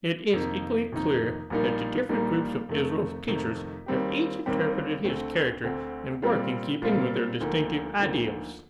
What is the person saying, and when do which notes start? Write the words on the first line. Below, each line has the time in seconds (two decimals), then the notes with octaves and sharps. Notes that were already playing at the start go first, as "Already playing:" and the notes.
It is equally clear that the different groups of Israel's teachers have each interpreted his character and work in keeping with their distinctive ideals.
0.33 F2 C3 D#3 A#3 D#4
0.92 F2 C3 D#3 A#3 D#4
1.50 A#1 A#2 G3 A#3 D#4
2.09 A#1 A#2 G3 A#3 D#4
2.69 F2 C3 D#3 A3 D#4
3.27 F2 C3 D#3 A3 D#4
3.86 D#2 D#3 G3 C4 G4
4.46 D#2 D#3 G3 C4 G4
5.04 D2 D3 A3 C4
5.63 D2 D3 A3 C4
6.22 A#2 G3 C4 F4
6.82 A#2 G3 C4 F4
7.40 D2 D3 F3 A#3 D#4
7.99 D2 D3 F3 A#3 D#4